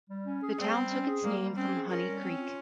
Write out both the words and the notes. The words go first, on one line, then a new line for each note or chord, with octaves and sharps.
The town took its name from Honey Creek.
G3
C#4
G#4
G3 C4
G3
C#4
G#4
G3 A#3
G3
C4 C#4
G#4
C#4 A#4
G3
C4
F4